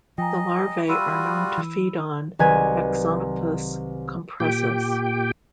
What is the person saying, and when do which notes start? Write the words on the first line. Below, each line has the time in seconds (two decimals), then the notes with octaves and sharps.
The larvae are known to feed on "Axonopus compressus".
0.18 F3 D#5 G5 G#5 A#5
0.88 G3 F4 F#4 B5 E6 D#7
1.57 E3
2.39 C2 D#3 F#3 B4 G#5
4.40 A#2 G4 G5